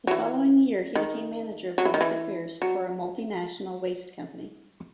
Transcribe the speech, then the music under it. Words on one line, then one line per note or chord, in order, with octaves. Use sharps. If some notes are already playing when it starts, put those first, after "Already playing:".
The following year he became manager of public affairs for a multinational waste company.
F#3
E3
D#3
F#3
E3
D#3
E3
F#3